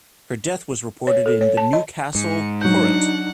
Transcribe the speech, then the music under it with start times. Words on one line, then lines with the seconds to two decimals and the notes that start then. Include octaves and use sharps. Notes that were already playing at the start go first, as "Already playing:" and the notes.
Her death was reported in the "Newcastle Courant".
1.07 C#5
1.26 A4
1.41 C#5
1.57 A5
1.73 D#5
2.15 G#2 C#7
2.61 F#3 D4 D#4 F#5 G6